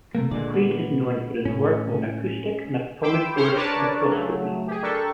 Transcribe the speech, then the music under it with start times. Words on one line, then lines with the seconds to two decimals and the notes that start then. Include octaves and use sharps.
Quate is known for his work on acoustic and atomic force microscopy.
0.15 C3 A3 A#3
0.31 A#2 D3 G#3 D5
0.54 B3
1.45 A2 C#4
3.03 G5 B5 C6 D6 E6
3.36 G4 C5 C#5 C6 C#6 F6
3.55 D4 A#4 B4 C#5 D5 A5
4.08 C#3 F#3 A3
4.67 G4 G#4
4.83 D4 G4 A4 A#4 C#6